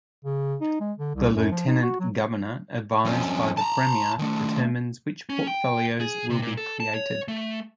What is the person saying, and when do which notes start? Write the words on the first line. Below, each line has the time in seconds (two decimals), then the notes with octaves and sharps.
The Lieutenant Governor, advised by the Premier, determines which portfolios will be created.
0.25 C#3
0.61 D#4
0.80 G#3
0.98 D3
1.15 C2
1.36 F#2
1.52 F3
1.67 D#4
1.83 F#4
2.00 F#3
3.05 F2 C#4
3.57 A5 A#5
4.19 D#3 A3
5.29 C#4
5.47 G5
6.00 G#4
6.30 C3
6.42 A#2
6.57 A4
6.80 A5
6.94 C#5
7.28 A3